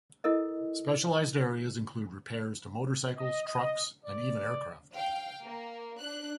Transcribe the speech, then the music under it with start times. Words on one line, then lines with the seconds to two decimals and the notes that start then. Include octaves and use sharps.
Specialised areas include repairs to motorcycles, trucks and even aircraft.
0.24 E4 A4 A#4 D#5
3.17 D#5
3.47 D#5
4.05 D5
4.95 F5 G5
5.45 A#3
6.00 D4 F#6